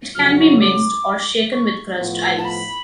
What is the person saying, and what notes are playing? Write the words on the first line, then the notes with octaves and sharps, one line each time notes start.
It can be mixed, or shaken with crushed ice.
F2 C#3 F#3 F6
C#6
D6
C#6
A2 F3 B3 F4
A5
B5